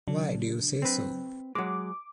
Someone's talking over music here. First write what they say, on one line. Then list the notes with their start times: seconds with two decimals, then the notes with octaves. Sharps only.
Why do you say so?
0.08 C#3 F#3 D4
0.82 C4 B4
1.55 F#3 G#3 D6